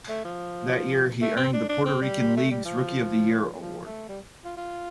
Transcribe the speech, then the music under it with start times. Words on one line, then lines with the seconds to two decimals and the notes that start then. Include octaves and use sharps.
That year he earned the Puerto Rican League's "Rookie of the Year Award".
0.09 A3
0.25 F3
1.21 A3
1.37 C4
1.53 D4
1.69 D4
1.85 C4
2.01 G3
2.37 A3
2.51 G3
2.65 F3
3.61 F3
3.85 A3
4.09 G3
4.44 F4
4.57 F4